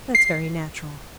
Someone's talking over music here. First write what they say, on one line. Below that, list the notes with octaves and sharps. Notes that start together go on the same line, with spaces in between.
That's very natural.
C7